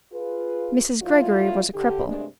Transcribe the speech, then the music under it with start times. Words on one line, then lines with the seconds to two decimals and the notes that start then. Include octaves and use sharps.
Mrs. Greggory was a cripple.
0.12 F4 G#4 B4
1.01 A2 F#3 D4 E4 F4
1.74 D3 G4
2.07 G2 C3 G#3 A3 D4